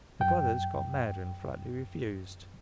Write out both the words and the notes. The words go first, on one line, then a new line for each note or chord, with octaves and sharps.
The "brothers" got mad and flatly refused.
F#2 G5